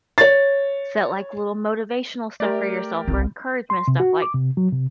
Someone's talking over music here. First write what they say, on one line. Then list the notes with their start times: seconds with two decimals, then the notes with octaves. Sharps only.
set, like, little motivational stuff for yourself or encouragement stuff, like
0.18 C#5 A6
2.40 A3 G4 A#4 D5
3.08 G1 C2 C4
3.70 C6
3.88 C3
4.00 F#4
4.22 D6
4.34 C3
4.57 F#3
4.72 C3